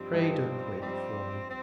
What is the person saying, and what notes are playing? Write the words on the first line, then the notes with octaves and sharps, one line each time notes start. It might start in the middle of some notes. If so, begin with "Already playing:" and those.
Pray, don't wait for me.
Already playing: G2 F3 G3 C4 D#4
G2 F3 D#4 G4
G2 F3 G3 C4 D#4 G4
C4